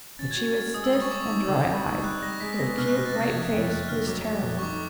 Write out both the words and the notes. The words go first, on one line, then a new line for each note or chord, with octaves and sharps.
But she was stiff and dry-eyed; her acute white face was terrible.
C#4 A6
G#6
F#4
A6
A#4 G#6
G#6
G#3 D#6
E6
G3 D#6
C#6
C4 D6
C#6
D#4 D6
D3
C4
D#4
G3 F#6
G3 A#6
G#3 B6
B6
B3 A#6
B2 F6
F#6
B2 A#6
A6
C3 A#6
G#6
F3
F2
F2 F#6
D3 F6
F#3 D6
A3
F2
C#6
D#4 D6